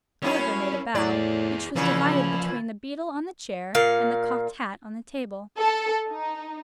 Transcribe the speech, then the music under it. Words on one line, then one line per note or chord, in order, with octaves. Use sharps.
Oliver made a bow, which was divided between the beadle on the chair, and the cocked hat on the table.
F#2 C#4 E4 C#5
A2 E4 G#4 D5
A#2 C#3 E3 F3 C#4
A#2 F5
A4
D#4